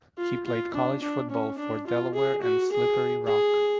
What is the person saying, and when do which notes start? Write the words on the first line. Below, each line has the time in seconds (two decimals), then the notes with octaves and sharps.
He played college football for Delaware and Slippery Rock.
0.18 F4
0.46 F4
0.74 D4
1.02 D4
1.30 C#4
1.58 D4
1.87 F4
2.14 G#4
2.42 F#4
2.72 G#4
3.27 G#4